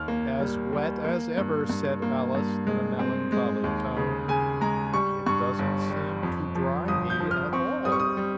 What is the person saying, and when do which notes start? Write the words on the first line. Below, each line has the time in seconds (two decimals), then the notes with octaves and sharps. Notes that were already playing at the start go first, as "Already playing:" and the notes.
'As wet as ever,' said Alice in a melancholy tone: 'it doesn't seem to dry me at all.'
Already playing: D#2 F6
0.08 A#3
0.40 G3
0.73 G3
1.04 A#3
1.38 G2
1.69 G2
2.02 A#3
2.35 G2
2.67 G#3
2.99 C4
3.32 G#3
3.64 D#2
3.97 C#3
4.28 C#3 G#5
4.61 G#3 A#5
4.94 G3 C#6
5.26 G2 C#6
5.59 G1
5.90 G3
6.23 F2
6.55 F3
6.88 G1 D#6
7.10 G6
7.20 F3
7.31 F6
7.53 C4 C#6
7.85 G3 D#6
7.92 C#6
8.00 D#6
8.17 G3